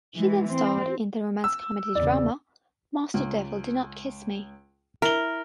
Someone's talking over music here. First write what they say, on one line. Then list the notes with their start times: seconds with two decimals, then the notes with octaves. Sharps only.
She then starred in the romance comedy drama "Master Devil Do Not Kiss Me".
0.18 E3 G#3
0.53 C4
1.44 E6
1.95 E2 C#3 D5
3.14 C#2
5.02 E4 A#4 G7